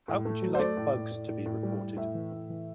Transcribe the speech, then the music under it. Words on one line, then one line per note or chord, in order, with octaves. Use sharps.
How would you like bugs to be reported?
A2
A3
F#3
C5
A3 D5
A2
A2
A2
A2
A2
G3
A2
A2 E5
E3
A2
E3